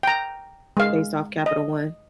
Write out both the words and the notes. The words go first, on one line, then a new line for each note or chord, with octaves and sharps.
based off Capital One
G5 A#5
G#3 F5
D#5